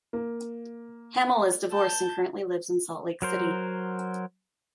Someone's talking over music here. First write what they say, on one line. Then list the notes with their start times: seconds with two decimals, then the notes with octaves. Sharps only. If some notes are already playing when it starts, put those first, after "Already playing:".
Hamel is divorced and currently lives in Salt Lake City.
0.13 A#3
1.72 A5 G6
3.22 F#3 A#4 C5